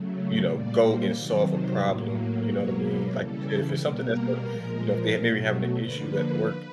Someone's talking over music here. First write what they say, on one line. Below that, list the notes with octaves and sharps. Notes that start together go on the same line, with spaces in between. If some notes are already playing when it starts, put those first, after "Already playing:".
you know, go and solve a problem, you know what I mean, like you said," if it's something that's uh," you know, if they're maybe having an issue at work,
Already playing: C#3 F#3 A3
A#2 G3 A#3 D5
C5
C3 D#3 F#3 D5
C5
A2 F#3 A#3
B2 F#3 A#3 C#5
B4
C#3 E3 G3 A4
B2 G3 A#3 A#4
A#2 F3 G#3
B2 F#3 A3
D3 F3 A#3 B4